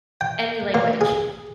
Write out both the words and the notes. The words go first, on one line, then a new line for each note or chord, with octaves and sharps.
any language,
G5
A#3
G#4